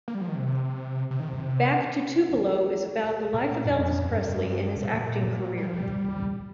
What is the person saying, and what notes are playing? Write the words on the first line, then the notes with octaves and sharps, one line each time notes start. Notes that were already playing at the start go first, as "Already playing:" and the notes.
"Back to Tupelo" is about the life of Elvis Presley and his acting career.
A#3
G3
F3
D#3
C3
C3
D#3
C3
A#2
G2
F2
G2
A#2
G3
F3
G3